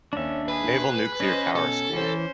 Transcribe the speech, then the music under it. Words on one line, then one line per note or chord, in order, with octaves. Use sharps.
Naval Nuclear Power School.
D#2 C#4 D4 E5
G#4 B4
C#4 C5 D#5
B2 A4
E3 C#4 C5